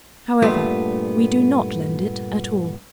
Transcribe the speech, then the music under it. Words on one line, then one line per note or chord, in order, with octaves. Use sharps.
However, we do not lend it at all.
G2 A#2 A3 B3